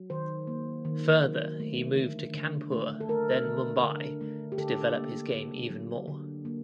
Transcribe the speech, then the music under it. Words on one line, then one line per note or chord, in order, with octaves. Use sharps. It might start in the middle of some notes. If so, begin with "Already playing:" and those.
Further he moved to Kanpur then Mumbai to develop his game even more.
Already playing: F#3
D#3 C5
A#3
D#3
F#3
A3
D3
D3
A3
A4
A3 A#4
D3
D3
A3
G4
D3 A4
A#3
D3
F#3
D3
A#3